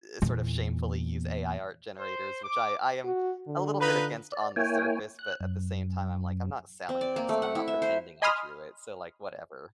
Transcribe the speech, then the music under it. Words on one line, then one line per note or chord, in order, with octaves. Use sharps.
eh, sort of shamefully use AI art generators, which I I am a little bit against on the surface, but at the same time, I'm like, I'm not selling this and I'm not pretending I drew it. So, like, whatever.
E2 A#2
C5
D6
F#4
D3
D#4 F4 B4
D5
A#3 E4 C#5 G5 G#5
F#6
F#2
C4
D5
A#3
A3
F#5
E4
E5
C5
D#5 G#5 B5 C6 D#6 F6